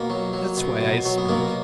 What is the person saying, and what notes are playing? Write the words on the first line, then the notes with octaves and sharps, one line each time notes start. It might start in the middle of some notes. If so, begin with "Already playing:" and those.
That's why I speak.
Already playing: B2 A#3
F#3
F#3
B2
B2
F#3
B3
B2 A#3